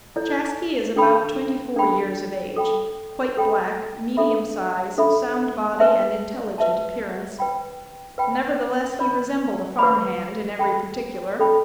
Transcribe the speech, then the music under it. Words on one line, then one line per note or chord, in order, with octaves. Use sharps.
Chaskey is about twenty-four years of age, quite black, medium size, sound body and intelligent appearance, nevertheless he resembled a "farm hand" in every particular.
E4 A4 D5
D4 A4 G5 B5
D4 A4 G5 B5
A4 G5 B5
A4 G5 B5
D4 A4 E5 B5
D4 A4 E5 B5
B4 E5 A5
B4 E5 A5
B4 G5 B5
B4 G5 B5
B4 D5 B5
B4 D5 B5
A4 G5 B5
A4 G5 B5